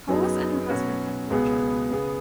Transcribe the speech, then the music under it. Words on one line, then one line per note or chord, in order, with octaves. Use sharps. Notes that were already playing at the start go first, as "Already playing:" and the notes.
Polis and her husband had four children.
F#2 F#3 B3 D#4 G#4
B2 F#3 C#4 F#4 B4
C#2 B2 B3 G#4
C#3 B3 G#4